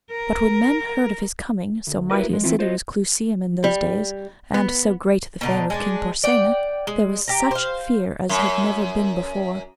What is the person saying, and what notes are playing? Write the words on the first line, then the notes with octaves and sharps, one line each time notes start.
But when men heard of his coming, so mighty a city was Clusium in those days, and so great the fame of King Porsenna, there was such fear as had never been before.
A#4
D2
E4 F#4 A#4 B4 D#5
F3 G#3
E3 C4 E4 F4
F4 C5 C#5 D#5
G3
B3
B2 D3 D#4
G#3 D4
D5 F#5 G5
G#3
G4 A#5
C5 F5
F#2